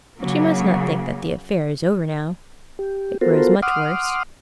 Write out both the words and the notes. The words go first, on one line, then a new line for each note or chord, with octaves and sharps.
But you must not think that the affair is over now; it grows much worse.
C#3 F#3 A#3
G4
B3 F4 F#4 A4 A#4 C5
F#5 C6 D6 D#6 F6